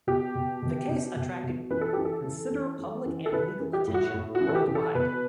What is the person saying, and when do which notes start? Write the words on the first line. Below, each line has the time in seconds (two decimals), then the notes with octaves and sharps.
The case attracted considerable public and legal attention worldwide.
0.07 B2 G4
0.35 B2
0.63 B2
0.89 B2
1.17 B2
1.43 B2
1.70 E3 B4
1.81 A4
1.93 E3 G4
2.05 A4
2.25 E3
2.51 E3
2.79 E3
3.06 E3
3.26 A4
3.33 E3 B4
3.60 E3
3.73 G4
3.88 A2
3.94 F#4
4.14 A2
4.35 F#4
4.41 E3
4.49 A4
4.55 G4
4.68 E3
4.75 A4
4.95 B2 B4